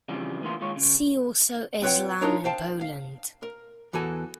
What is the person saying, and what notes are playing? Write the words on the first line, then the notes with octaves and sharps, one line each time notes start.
See also Islam in Poland.
C#3 E3 F3 G3 B3 C4
D2 E3 A#3 B3 F4 C6
D#2 G#3 F4 C#5
C#3
C4 F4 B4 C#5 F#5 G5
D4 D#4 F4 A#4 C#5 D5
C5 F5 G5 A5
F5
A#4
E2 E3 F#4 A4 G#5